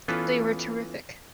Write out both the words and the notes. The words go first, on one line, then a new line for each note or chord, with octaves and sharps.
They were terrific.
E3 B3 C#4 F4 A4 B4